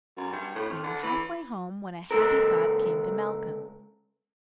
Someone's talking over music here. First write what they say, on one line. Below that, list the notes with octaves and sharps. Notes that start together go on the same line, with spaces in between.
They were half-way home when a happy thought came to Malcolm.
F#2
G2
A2
F2
D3
E3
C#2 A4 A#4